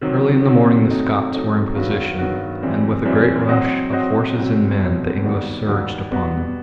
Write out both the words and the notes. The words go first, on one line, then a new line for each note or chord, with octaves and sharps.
Early in the morning the Scots were in position, and with a great rush of horses and men the English surged upon them.
C3 D#3 F#3 C4
C3 D#3 F#3 C4
F#3 A3 C4 D#4
F#3 A3 C4 D#4
G2 D#3 F#3 B3 F#4
G2 D#3 F#3 B3 F#4
F#2 E3 G3 C4 E4
F#2 E3 G3 C4 E4
F#3 C4 F#4 C5 D#5
F#3 C4 F#4 C5 D#5
C2 B2 F#3 C4
C2 B2 F#3 C4
D#2 D#3 G3 B3 F#4
D#2 D#3 G3 B3 F#4
B2 G3 B3 F#4